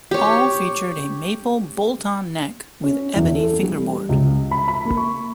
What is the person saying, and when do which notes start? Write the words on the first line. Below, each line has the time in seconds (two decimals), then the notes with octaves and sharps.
All featured a maple bolt-on neck with ebony fingerboard.
0.11 G4 C#5
2.84 C#4
3.15 E2
3.34 A4
3.63 G3
4.09 C#2
4.51 B5
4.68 B5
4.85 A#3
4.97 C#6